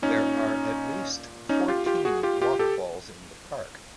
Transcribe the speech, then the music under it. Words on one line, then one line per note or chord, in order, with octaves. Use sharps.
There are at least fourteen waterfalls in the park.
A#2 C#4 D#4
C#4 D#4
F4 G4
F4 G4
F#4 G#4
F4 G4
F4 G4
G4 A4